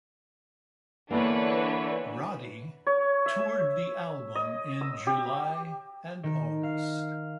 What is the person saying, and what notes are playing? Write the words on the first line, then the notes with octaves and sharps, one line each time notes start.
Roddy toured the album in July and August.
D3 E3 A#3 B3 D4 B4 C#5
C#5
E5
D#5
E6
G4
D#3
F5